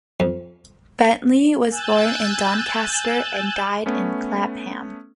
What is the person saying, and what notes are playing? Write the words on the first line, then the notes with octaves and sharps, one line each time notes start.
Bentley was born in Doncaster, and died in Clapham.
F2
G#5 E6 F#6 G6 A6
A3 B3 C#4